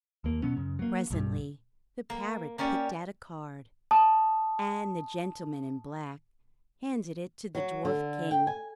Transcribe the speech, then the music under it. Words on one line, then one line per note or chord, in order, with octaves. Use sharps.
Presently the parrot picked out a card, and the gentleman in black handed it to the Dwarf-King.
D#2 A#3
B2 F#3 B3 C#4
F#2 C#3
F#3 A#3
B1 G2
A#3
A#3 C#4 G4 D5
A5 D#6
F#3
D3
G5
G#5